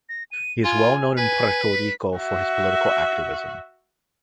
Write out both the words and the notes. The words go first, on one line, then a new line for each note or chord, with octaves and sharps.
He is well known in Puerto Rico for his political activism.
A#6
D#7
F4 G#5
B4 G#5
B6
F#4 E5